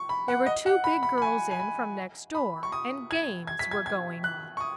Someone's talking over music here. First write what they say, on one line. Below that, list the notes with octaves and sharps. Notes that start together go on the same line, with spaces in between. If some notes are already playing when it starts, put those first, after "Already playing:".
There were two big girls in from next door and games were going on.
Already playing: C#6
B5
F#5
D#5
F#5
B5
B5
B5
G#5
G#5
B5
B5
C#6
D#6
G#6
G#6
B6
G#6
G#6
F#6
C#6
D#6